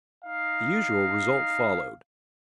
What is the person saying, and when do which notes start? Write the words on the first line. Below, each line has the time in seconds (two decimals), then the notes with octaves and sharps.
The usual result followed.
0.24 D#4 F5